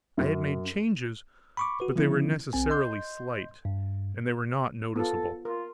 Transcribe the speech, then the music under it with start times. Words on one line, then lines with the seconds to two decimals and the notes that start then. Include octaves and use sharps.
I had made changes, but they were necessarily slight, and they were not noticeable.
0.17 F#2
1.57 B5 C#6 D6
1.80 F#4 B4
1.96 D3 F3 B3 C#4 E4
2.53 B1 C4 G#5
2.70 D#5 C6 G6
3.65 G2
4.96 B3 F4 A4
5.45 F4 A#4